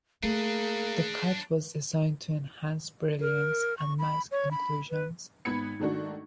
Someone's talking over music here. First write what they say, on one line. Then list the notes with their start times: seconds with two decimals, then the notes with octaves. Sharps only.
The cut was designed to enhance brilliance and mask inclusions.
0.23 A3 A#3 D4 G#4 B4
3.20 A#4
3.78 C#6
3.99 B5
4.31 C#5
4.51 B5
4.90 B4
5.45 G#1 B3 B5 G#6 C#7
5.79 G#2 D#3 A3 D4 F#4